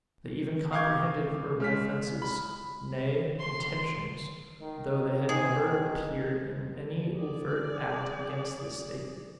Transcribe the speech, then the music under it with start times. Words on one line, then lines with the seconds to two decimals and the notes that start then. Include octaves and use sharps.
They even comprehended verbal offences, nay, intentions, though they had never appeared in any overt act against the state.
0.73 F5 C#6 D6 G6 G#6
1.60 G#3 F6 B6
2.22 B5
3.40 C6
4.61 D#3
5.29 D#3 G#4
7.16 G#4 D5